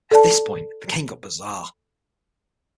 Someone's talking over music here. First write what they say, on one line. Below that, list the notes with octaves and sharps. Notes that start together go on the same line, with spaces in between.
At this point, the game got bizarre.
A4 D5 A5